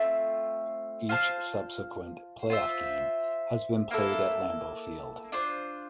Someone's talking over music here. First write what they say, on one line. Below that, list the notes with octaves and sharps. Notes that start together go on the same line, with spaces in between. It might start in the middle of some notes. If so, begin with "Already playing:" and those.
Each subsequent playoff game has been played at Lambeau Field.
Already playing: A3 C4 F4
F4 C5 F5 A5
F4 C5 E5
A#3 E4 A4
D4 F4 C5